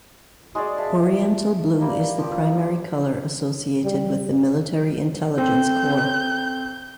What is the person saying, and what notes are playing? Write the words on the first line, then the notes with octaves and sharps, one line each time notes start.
Oriental blue is the primary color associated with the Military Intelligence Corps.
G#3 F#4 G#4 D5
B4 E5 F5 A5
G3 A#3
F3 G4
G3
C4 A4 G5 G6